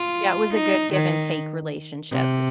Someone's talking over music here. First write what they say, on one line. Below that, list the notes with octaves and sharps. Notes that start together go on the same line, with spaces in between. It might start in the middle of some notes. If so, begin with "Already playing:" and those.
Yeah, it was a good give and take relationship.
Already playing: F4
D#4
D#3
C3